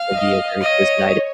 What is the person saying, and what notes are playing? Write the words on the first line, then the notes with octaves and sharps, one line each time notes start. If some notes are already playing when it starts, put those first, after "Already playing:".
it'll be a very cozy night i
Already playing: F5
D#5
C#5 D#5